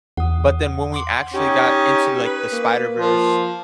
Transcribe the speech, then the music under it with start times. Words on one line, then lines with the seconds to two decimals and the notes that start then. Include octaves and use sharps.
but then when we actually got into, like, the Spider-Verse,
0.17 E2 F#5 D#6
0.92 F#5 C6 D6
1.34 C#4 D#4 G4
2.22 B4
2.52 A#3
2.99 F3